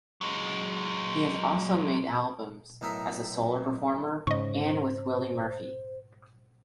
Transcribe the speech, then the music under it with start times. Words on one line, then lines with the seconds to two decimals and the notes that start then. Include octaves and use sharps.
He has also made albums as a solo performer and with Willie Murphy.
0.21 F#3 G#3
2.81 B1 A2 D#4 A#4 E5
4.27 G#2 C#3 C5 D#5 C#6